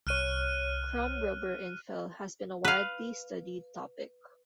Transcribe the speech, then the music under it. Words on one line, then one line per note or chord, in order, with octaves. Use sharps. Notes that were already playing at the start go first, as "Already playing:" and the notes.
Crumb rubber infill has been a widely studied topic.
C2 C#5 F6 F#6 D#7
B4 F5